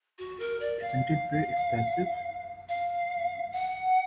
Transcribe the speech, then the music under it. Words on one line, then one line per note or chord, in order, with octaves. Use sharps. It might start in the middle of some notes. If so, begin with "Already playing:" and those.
Isn’t it very expressive?
F#4
A#4
D5
F5
F5
F#5